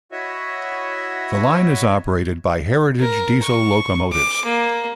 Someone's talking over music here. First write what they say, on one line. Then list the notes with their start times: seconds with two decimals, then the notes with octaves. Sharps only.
The line is operated by heritage diesel locomotives.
0.12 E4 F#4 C#5 D#5 E5
3.00 A#4
3.42 C#6
4.12 D6
4.45 A#3